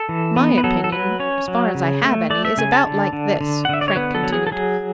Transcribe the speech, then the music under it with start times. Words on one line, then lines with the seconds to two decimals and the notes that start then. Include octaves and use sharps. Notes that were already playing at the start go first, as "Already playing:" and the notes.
"My opinion, as far as I have any, is about like this," Frank continued.
Already playing: A4
0.09 E3
0.36 B3
0.58 B4
0.64 F#3 A4
0.84 A4
0.92 F#3 B4
1.20 C#4 C#5
1.48 F#3
1.75 C#3
2.03 A3
2.30 A3 D5
2.45 E5
2.57 C#3 G#5
2.72 A5
2.86 D3
3.13 D3
3.41 D3
3.65 F#5
3.69 D3 E5
3.81 D5
3.88 C#5
3.96 B3 B4
4.15 A4
4.23 F#3
4.33 G#4
4.47 A4
4.52 F#3 G#4